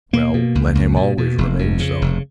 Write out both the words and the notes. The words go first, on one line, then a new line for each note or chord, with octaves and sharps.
"Well, let him always remain so."
B2 A#3
B2
C#2
C#2
B2
B2
F1
F2
C#3
F1